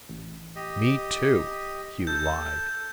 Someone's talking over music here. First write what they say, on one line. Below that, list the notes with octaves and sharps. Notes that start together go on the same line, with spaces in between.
"Me, too," Hugh lied.
A1
G4 D#5
A4 G6